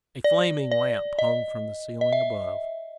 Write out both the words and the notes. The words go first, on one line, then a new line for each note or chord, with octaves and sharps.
A flaming lamp hung from the ceiling above.
D5
D5
D#5
D#5
E5